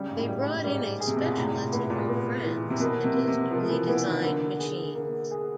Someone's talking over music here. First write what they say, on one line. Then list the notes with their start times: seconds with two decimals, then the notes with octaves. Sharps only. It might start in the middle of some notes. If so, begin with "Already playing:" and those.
They brought in a specialist from France and his newly designed machines.
Already playing: C#3 G3
0.10 G#2
0.17 A2
0.28 G3
0.41 A2
0.54 A2
0.64 G#2 G3
1.00 G#4
1.07 C3
1.16 B2
1.26 A#2
1.37 A2 C3
1.54 A#2
1.72 A2 B3
1.90 A#2
2.08 B3
2.44 E3
2.70 C3
2.80 B2 A#4
3.04 C3
3.15 B3
3.28 C3
3.51 F3 A#4
3.70 E3
3.88 E3 B3
4.06 D#3
4.23 D3 A#3
4.60 G#4
4.95 A#3
5.31 G#4